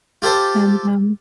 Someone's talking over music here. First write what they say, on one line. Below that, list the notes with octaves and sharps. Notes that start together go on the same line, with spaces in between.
and, um
F4 G4 A4 C5